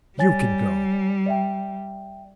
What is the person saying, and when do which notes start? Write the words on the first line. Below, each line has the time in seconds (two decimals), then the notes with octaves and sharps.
"You can go."
0.19 G3 C#5 G#5 A6
1.26 D5 E5 G5